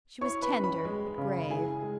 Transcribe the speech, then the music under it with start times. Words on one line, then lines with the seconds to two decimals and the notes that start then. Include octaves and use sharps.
She was tender, but grave.
0.21 E4 C#5 C#6
0.42 B4 B5
0.54 C#4
0.64 B4 B5
0.85 G#3
1.18 C#3
1.50 E4 G#4 G#5
1.82 G#3